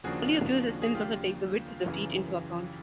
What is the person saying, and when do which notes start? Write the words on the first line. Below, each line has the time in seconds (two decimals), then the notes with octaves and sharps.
Only a few systems also take the width of the feet into account.
0.04 D#2 C#3 F3 A#3 D4 F#4 G#4
0.82 G#4
0.95 F4 G4
1.86 F#2 C#3 E3